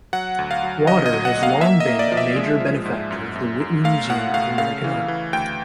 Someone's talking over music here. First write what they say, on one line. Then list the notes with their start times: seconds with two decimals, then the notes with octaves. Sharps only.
Lauder has long been a major benefactor of the Whitney Museum of American Art.
0.13 F#3 F#5
0.39 D2
0.51 F5
0.63 F#3
0.87 D3 D#5
1.06 D#5
1.13 F#3
1.25 F#5
1.38 A#3
1.43 F5
1.61 A#3 E5
1.80 D#5
1.87 A#3
1.99 D5
2.12 F3
2.17 E5
2.36 G#3
2.60 F3
2.85 G#2
3.11 F#2
3.36 F#2
3.60 F#2
3.84 A3 F5
4.09 A2 F#5
4.34 A3 F5
4.58 C#3 F5
4.84 E3
5.08 E3
5.33 D2 G5